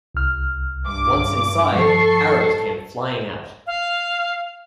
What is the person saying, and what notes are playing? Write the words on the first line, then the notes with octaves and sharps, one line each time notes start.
Once inside, arrows came flying out.
C2 F6
G2 D6
G2 F3 A4 C#6 C7
F5